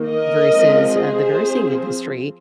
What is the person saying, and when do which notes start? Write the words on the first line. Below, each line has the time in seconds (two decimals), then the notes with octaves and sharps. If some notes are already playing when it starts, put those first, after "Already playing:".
versus, uh, the nursing industry,
Already playing: D#3 A#3
0.08 A#4 D#5
0.52 F3 G#3 C4
0.94 G#4 C5
1.38 F3 C4